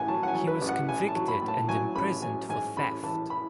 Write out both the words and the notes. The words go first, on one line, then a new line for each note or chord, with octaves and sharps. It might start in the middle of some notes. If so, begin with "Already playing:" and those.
He was convicted and imprisoned for theft.
Already playing: A1 A2 F#5 G#5
F#3 A5
F#5
G#5
F#3
B4
A1
F#5
A1 G#5
A5
F#3
B5
A2
A5
F#3 G#5
A1 B5
F#3 G#5
G#2 G#5
A1 B5
E3 A5
B5